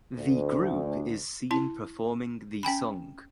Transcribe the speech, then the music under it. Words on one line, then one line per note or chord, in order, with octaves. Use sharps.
The group is seen performing the song.
D2
E4 A5
C#4 G5 G#5 B5